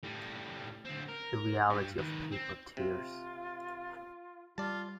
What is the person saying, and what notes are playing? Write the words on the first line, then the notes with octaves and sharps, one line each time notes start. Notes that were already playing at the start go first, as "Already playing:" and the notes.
The reality of paper tears.
A2 G3
D2 C4
A#4
G2 G3
D#3 B4
C4
C3 F4
G3 F4 D5 A5